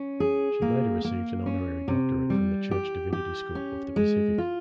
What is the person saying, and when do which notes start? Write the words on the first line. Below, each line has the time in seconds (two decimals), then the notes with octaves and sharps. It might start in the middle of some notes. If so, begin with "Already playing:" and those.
She later received an honorary doctorate from the Church Divinity School of the Pacific.
Already playing: C#4
0.20 G#4
0.62 A#3
1.05 A#3
1.46 C#4
1.88 C3
2.30 G3
2.71 G4
3.13 G4
3.55 C#4
3.96 G#3
4.38 F4